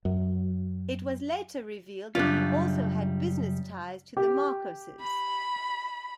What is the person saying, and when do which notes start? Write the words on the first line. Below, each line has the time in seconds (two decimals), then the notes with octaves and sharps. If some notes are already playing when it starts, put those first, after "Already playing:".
It was later revealed that he also had business ties to the Marcoses.
0.05 F#2
2.15 F#2 C#3 G3 D4 F4
4.17 G4
5.01 B5